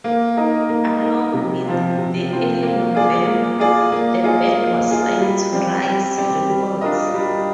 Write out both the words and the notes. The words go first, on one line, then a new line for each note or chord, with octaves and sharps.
Along with "The Early November", the band was signed to Rise Records.
A#3
D#4 A#4 D#5
A#3
D#4 A#4 D#5
C3
F3 C4 F4
C3
F3 C4 F4
A#3
F4 G#4 D5
A#3
F4 G#4 D5
A#3
F4 G#4 D#5
A#3
F4 G#4 D#5
G3
C4 G4 D5
G3
C4 G4 D5
G3
D4 F4 A#4 D#5
G3